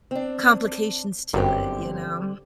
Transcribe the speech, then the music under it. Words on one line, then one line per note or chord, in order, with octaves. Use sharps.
complications to it, you know?
C4 D4
G1 F#2 D3 C4 G4